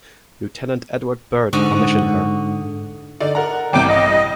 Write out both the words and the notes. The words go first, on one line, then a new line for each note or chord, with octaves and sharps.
Lieutenant Edward Burt commissioned her.
G#2 D3 F#4 D#6
D3 D#4 D5
A#4 F#5 A#5
A1 G2 C3 G5 D6
D#5